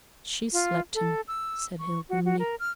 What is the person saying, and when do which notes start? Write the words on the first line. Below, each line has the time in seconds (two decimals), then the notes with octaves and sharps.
"She slapped him," said Hale grimly.
0.53 F4
0.95 A4
1.28 E6
1.79 C#6
2.09 F#4
2.25 F#4
2.39 A#4
2.60 F6